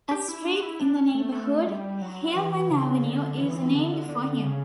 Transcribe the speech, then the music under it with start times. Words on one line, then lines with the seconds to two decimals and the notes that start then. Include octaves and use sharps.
A street in the neighborhood, Hillman Avenue, is named for him.
0.11 G4
0.28 E4
0.45 D4
0.56 F#4
0.62 E4
0.80 D4
0.97 C#4
1.14 A3
1.32 A3
1.67 G3
2.02 F#3
2.36 E3
2.70 C#3
3.05 D3
3.40 E3
3.74 D3
4.09 D3
4.44 C#3